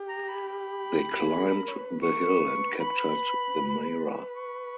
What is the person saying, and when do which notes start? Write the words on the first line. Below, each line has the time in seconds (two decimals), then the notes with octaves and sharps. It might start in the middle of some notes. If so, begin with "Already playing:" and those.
They climbed the hill and captured the Mira.
Already playing: G4
0.09 A#5
0.29 B5
0.48 B5
1.15 G4
1.25 G#4
1.51 A#4
1.68 C#5
1.77 B4
2.03 B4 C#6
2.12 A#4
2.21 B4
2.80 B5
4.35 C#6